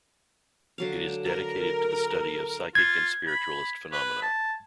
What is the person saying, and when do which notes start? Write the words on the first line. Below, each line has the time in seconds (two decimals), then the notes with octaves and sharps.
It is dedicated to the study of psychic and spiritualist phenomena.
0.78 D3 F#3 F5
1.26 A#4
2.75 F4 G#6
3.27 B5
3.92 B4
4.22 A5